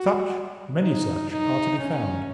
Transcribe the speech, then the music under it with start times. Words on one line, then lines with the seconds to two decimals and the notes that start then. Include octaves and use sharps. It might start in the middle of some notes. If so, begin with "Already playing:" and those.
Such, many such, are to be found.
Already playing: F#4
0.82 D#4
1.31 D#4
1.79 C#4